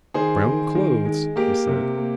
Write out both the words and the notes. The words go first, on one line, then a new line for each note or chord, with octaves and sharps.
"Brown clothes?" he said.
D#3 G#4 C5
D#3
D#3
G#3
A#3 G4 A#4
C3
A#3